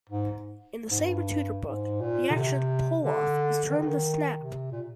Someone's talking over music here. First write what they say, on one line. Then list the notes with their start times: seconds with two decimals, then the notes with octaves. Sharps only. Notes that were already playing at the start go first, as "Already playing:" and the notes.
In the same tutor book, the action 'pull off' is termed the 'snap'.
0.09 G#2
0.91 G#2
1.00 G2
1.68 G#2
2.01 A#2
2.30 D3
2.35 C3
3.02 D3
3.70 D#3
3.79 D3
3.88 D#3
4.38 C3
4.72 A#2